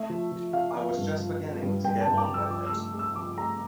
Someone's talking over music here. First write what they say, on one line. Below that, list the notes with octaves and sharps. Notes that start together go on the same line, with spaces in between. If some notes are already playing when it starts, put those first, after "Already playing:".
I was just beginning to get on with it.
Already playing: A3 E5
F3
F3
F3 F5
F3
G2
F3
F3
G2
G2 G5
A5
G2
D6
G2
E6
F3 D6
E6
A3
A3
E6
F3 D6
A3 A#5